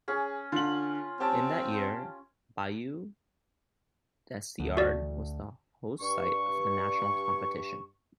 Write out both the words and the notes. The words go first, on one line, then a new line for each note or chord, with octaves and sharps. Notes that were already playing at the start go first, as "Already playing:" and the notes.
In that year, Bayou Desiard was the host site of the national competition.
C#4 G#4
D3 F4 F#7
C4 C#4 G4 G5 A5
D2
F#4 D5
G2 C#6